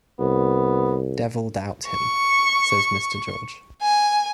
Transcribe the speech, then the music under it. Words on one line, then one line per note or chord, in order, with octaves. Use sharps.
"Devil doubt him," says Mr. George.
C2 B3
C#6
G#5